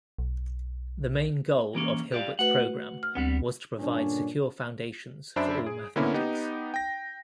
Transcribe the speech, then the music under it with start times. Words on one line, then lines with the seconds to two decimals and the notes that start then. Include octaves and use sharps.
The main goal of Hilbert's program was to provide secure foundations for all mathematics.
0.18 B1
1.75 E3 A#3 C#4
2.12 G4 D5 F5
2.39 A3 F#4 B4 F#5
3.03 F6
3.15 D2 G3 B3 C4
3.78 G2 A#2 D3 C#4 D4
5.36 F#2 D4 C5 E5 B5 D7
5.67 G#4
5.96 D3 A#3 B3 C#4 E4
6.14 B3 D#4 G4
6.74 G5 A#6